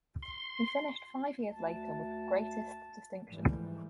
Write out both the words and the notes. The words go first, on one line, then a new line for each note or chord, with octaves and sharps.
He finished five years later with greatest distinction.
C6
D2 A5
G#2 E3 F3 G3 A3